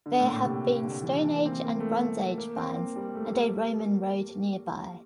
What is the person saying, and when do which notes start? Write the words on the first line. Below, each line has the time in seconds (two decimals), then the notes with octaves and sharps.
There have been Stone Age and Bronze Age finds and a Roman road nearby.
0.06 D3
0.20 A2
0.26 A#2
0.45 C3
0.64 C3
0.84 D3
1.03 E3
1.21 E3
1.36 A#3
1.46 C4
1.51 A#3
1.65 A#3
1.80 A3
2.38 A#3
2.56 C4
2.76 A#3
2.96 G3
3.15 A3
3.34 A#3